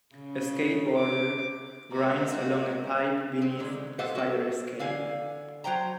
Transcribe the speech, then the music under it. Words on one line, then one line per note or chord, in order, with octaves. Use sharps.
A skateboarder grinds along a pipe beneath a fire escape.
C#3
D6
G#3 A#3 F#4 B4 C5 D#5 A#5
C4
D3 D#3 G#3
G4 A4 C5 D#5 F5 F#5
F#4 A4
D3 F5 G#5
F#3 C5 G5 A#5